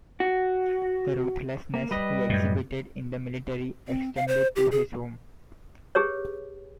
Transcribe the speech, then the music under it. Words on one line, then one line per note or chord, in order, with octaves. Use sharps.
The ruthlessness he exhibited in the military extended to his home.
F#4
A#3
G3 B4 D#5
F#2 A2
C4
F5
C5
G4
G#4
G4 G#4 B4 C#5